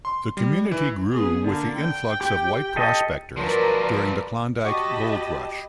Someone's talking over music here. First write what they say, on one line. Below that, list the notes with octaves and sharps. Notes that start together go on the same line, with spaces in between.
The community grew with the influx of white prospectors during the Klondike Gold Rush.
C6
G3
E3
B3 G#4
D3 A#3
G5
G4
G4 A4 D#5
F3 F#3 A#4 B4 D5
F#4 G4 D#5 F#5 A5 B5 C#6 D6